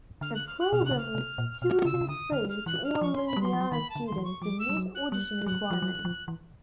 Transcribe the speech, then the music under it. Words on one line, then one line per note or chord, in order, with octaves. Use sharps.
The program is tuition-free to all Louisiana students who meet audition requirements.
D3 F6
F#6
F6
F#6
B2 F6
C3 F#6
C#3
F6
C3
A#2
B2 F6
C#3 E6
C3
C#3
D3 D#6
D3 F6
F6
E3 F#6
F6
F3 C#6
C6
B5
G3
F#3 C6
F3
F#3
D#3 B5
A5
D3
C6
D#3
E3
C#6
F3 D6
E6
G3
F#3
F#6
G3 F#6
F#3 F#6
F3
F#3
F3
E3